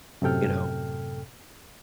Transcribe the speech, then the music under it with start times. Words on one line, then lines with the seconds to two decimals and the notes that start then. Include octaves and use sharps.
You know,
0.22 F#2 A2 C3 A4 G5 F6